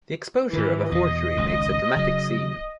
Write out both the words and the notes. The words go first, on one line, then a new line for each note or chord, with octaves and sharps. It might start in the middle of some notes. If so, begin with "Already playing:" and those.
The exposure of the forgery makes a dramatic scene.
G#2 D#3 E3
E2 B2 D#5
G#1 C#2 G#2
C#3 F#3